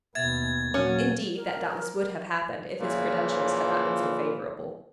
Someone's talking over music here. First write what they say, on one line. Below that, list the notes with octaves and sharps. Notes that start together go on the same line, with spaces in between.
"Indeed, that doubtless would have happened if his credentials had not been so favorable."
D#2 B2 E5 G#6 A6
A#2 F#3 A#3 C#4 F#4
A#4
A#2 C#3 E3 F3